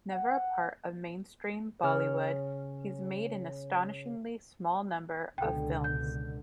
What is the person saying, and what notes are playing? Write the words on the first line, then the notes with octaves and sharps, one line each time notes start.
Never a part of mainstream "Bollywood", he's made an astonishingly small number of films.
F#5
C#3 F6
C#2 B2 D3 A4 G5
G6